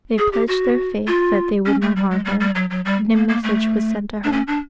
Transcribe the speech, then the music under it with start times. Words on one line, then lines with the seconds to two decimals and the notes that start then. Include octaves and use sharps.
They pledged their faith that they would not harm her, and a message was sent to her.
0.18 G#4
0.33 G4
0.48 F#4
1.07 F4
1.66 C#4
1.82 A3
1.96 G3
2.11 G#3
2.25 G3
2.40 G3
2.55 F#3
2.70 F#3
2.85 G3
3.15 A#3
3.29 A#3
3.43 A3
4.24 D4
4.32 C#4
4.47 D4